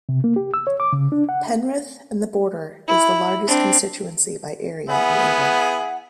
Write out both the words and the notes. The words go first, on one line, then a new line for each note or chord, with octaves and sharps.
Penrith and The Border is the largest constituency by area in England.
C3
A#3
G4
E6
C#5
D6
C#3
D4
F#5
E4
C4 D4
B3 E4 G#4 F#5